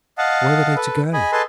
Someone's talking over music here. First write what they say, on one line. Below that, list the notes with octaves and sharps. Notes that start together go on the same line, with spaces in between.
Where were they to go?
D#5 F5 F#5 A5
A4 B4
G#4 D#5 G#5 B5
G#4 A4 B4 D#5 A5 C6